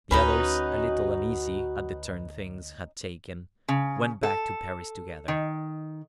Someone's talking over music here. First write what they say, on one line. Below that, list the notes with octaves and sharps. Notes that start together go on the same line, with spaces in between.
The others, a little uneasy at the turn things had taken, went back to Paris together.
D2 C#4 D#4 F#4 B4 B5
C#3
A4
D#3